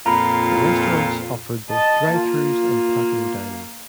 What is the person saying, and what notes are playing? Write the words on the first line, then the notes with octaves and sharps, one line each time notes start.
The restaurants offered both drive-thrus and patio dining.
F2 A#2 F4 A#5 B5
D#5 A5
A#3 F4